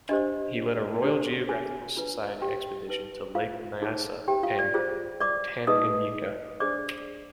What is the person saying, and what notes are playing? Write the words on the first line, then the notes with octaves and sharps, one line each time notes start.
He led a Royal Geographical Society expedition to Lake Nyasa and Tanganyika.
D4 G4 C5 D#5
D4 G4 C5
G#4 G#5
D4 F4 B4
G4 G5
D#4 B4
F4 F5
D#4 G#4 C5
G4 G5
F4 F5
D5
F4 G#4 C5
D5 D6
D#4 G#4 B4 D#5 D#6
D4 G#4 C5 D5 D6